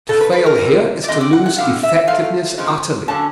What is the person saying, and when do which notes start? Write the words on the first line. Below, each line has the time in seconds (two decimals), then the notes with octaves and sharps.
To fail here is to lose effectiveness utterly.
0.08 F2 C#3 A4
0.21 B4
0.33 B4
0.46 A#4
0.58 F2 C3 E3 G3
1.04 D5
1.08 F2 D3 G3 C4 D#5
1.21 D5
1.33 F#5
1.46 F#5
1.58 G2 D3 G3 F5
1.83 E5
2.07 G#2 F3 A3 F5
2.58 C#3 F3 G#3 C4
3.08 D3 F#3 A#3 C#4 A5